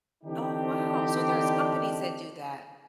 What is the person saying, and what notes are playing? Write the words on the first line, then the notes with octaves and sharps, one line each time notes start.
Oh, wow, so there's companies that do that?
D3 E3 C4 D4 D#4 G4